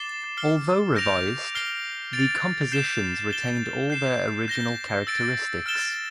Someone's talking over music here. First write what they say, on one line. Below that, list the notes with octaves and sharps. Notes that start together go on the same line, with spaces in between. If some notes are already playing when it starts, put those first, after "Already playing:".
Although revised, the compositions retained all their original characteristics.
Already playing: D6 A6 C7 E7 G7
F6 C7 G7
G6 A#6 D7 F7
F6 C7 G7
A6 D7 F7
G6 C7 E7 G7
A6 E7 G7
G6 C7 E7
G6 A#6 E7 G7
E6 A6 D7
F6 A6 E7 G7